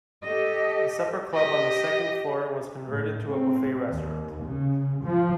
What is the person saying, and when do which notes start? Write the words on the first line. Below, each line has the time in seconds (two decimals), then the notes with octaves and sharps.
The supper club on the second floor was converted to a buffet restaurant.
0.23 G4 A4 D#5
1.34 G4 D#5
2.92 A2
3.28 C4
3.89 D#2
4.43 C#3
5.05 F3